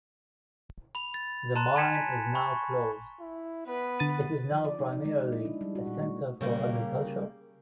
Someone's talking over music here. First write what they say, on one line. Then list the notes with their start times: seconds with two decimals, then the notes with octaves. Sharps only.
The mine is now closed; it is now primarily a centre for agriculture.
0.95 B5 F7
1.14 A6
1.56 A5 A#5 C6 F#6
1.76 G#5 B5 G#6 B6 C#7 E7
1.94 A5 B6
2.35 B5 C#6
3.20 E4
3.67 B3 B4
3.99 D3 A6 D#7
4.52 F3
4.65 D5
4.79 D#4
4.93 D#4
5.05 G#3
5.32 E4
5.45 D4
5.61 G3
5.75 F#4
5.87 A#2
6.02 A3
6.41 C#3 G3 A#3